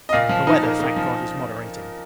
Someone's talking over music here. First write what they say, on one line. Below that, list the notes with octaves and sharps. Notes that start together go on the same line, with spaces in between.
The weather, thank God, is moderating.
D#5
A#2 F5
F3
D#4
A#3
A#3
F3